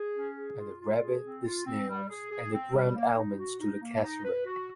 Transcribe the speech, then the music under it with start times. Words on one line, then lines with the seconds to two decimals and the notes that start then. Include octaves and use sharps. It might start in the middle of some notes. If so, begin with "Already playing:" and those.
Add the rabbit, the snails and the ground almonds to the casserole.
Already playing: G#4
0.14 C#4
0.37 G#4
0.58 F4
0.80 F4
1.01 G#4
1.23 C4
1.44 F4
1.65 C4
1.88 G3
2.09 G#4
2.30 G#4
2.52 C4
2.74 G3
2.94 A#3
3.16 D#4
3.38 F#4
3.60 D#4
3.81 A#3
4.02 D#4
4.23 B4
4.45 F#4